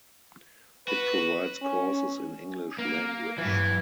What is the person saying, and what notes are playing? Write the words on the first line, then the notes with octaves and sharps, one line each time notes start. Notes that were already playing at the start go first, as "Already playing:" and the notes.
It provides courses in English language.
F#4 B4
C#4
A#3
G2 E3 F#3